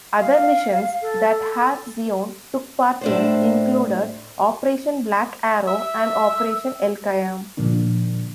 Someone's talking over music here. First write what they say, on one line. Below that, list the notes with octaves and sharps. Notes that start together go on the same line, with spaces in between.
Other missions that Har-Zion took part in included Operation Black Arrow and Operation Elkayam.
F5
A4
A2 D4 C5
E5
A#2 D3 F3 A#3 D4